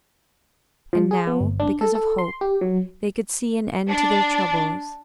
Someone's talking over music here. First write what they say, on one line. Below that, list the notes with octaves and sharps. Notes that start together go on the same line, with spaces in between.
And now because of Hope they could see an end to their troubles.
F3
G#4
B3
G1
D4
A4
A4
C6
G4
F#3
D4